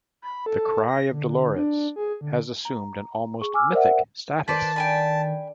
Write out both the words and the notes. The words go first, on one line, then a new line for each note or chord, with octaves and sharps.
The "Cry of Dolores", has assumed an almost mythic status.
B5
A4
A#6
D3
D4
G#4
D3
A#5
G#4 C#6
G#5 D6 E6 F6
A#4 C5 D5 E5 F#5
D#3 B4 C5 D5 A5
D4 A4 D5 G5 G#5 B5